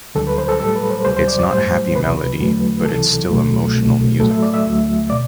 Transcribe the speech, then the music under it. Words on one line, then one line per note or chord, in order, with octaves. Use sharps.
It's not happy melody, but it's still emotional music.
D2 D3 G3 A4
B4
C5
A4
A2 G3 A4
B4
C5
D2 C3 G3 C5
C5
D5
D5
A2 G3 C5
C2 C3 F#3 B4
E2 D3 F#3 A3
C2 C3 E3 A4
C2 B2 F#3 A3
C2 B2 F#3 A3
A2 F#3 A3 A4
E5
D5
E5
D2 D3 F#3 A3
B2 D5